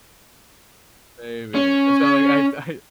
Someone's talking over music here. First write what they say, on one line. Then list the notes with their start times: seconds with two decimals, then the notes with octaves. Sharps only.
Maybe. And so like, I d I
1.55 C#4